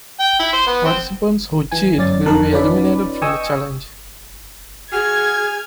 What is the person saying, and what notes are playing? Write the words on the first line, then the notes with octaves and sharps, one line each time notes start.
Participants who cheat will be eliminated from the challenge.
G5
E4
C5
B3
C4
E3 G#5
G1 F#2 C#4 D5 A6
F2 D#3 A#4 A5 F#6
C#4 D#4 F4 B4 D5 B5
D#5 G5 G#5 C#6 D#6 E6
F#4 G#4 G#5 F6 G#6